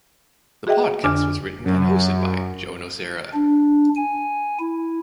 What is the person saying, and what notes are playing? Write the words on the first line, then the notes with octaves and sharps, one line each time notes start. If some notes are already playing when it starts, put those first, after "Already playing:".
The podcast was written and hosted by Joe Nocera.
F#4 G#4 D#5 E5 G5
F2 D3 D4 G#5 D6 F6
F#2
D4
G#5
E4